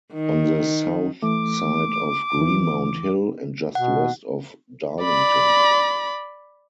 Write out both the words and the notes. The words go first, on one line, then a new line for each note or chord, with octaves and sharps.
On the south side of Greenmount Hill, and just west of Darlington.
D#3
E3 A3 D6
D#2 E3
B2 F#5
D5 B5